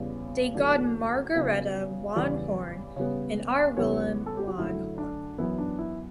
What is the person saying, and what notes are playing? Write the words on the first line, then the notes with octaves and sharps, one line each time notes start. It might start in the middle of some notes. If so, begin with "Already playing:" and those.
They got Margaretha van Horne and our Willem van Horne.
Already playing: E2 C#3 G3 B3 D5
E2 D3 F#3 A3 D5
C#3 F#3 B3
E2 C#3 E3 G3 D5
C#3 G3 B3 C#5
E2 C#3 G3 B3 C#5
A4
G4
F#4
F#2 D3 A3 E4
D4
F#2 E3 B3 E4
D4
E4